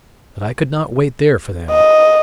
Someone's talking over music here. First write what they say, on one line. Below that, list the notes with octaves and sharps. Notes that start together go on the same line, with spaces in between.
But I could not wait there for them.
D#5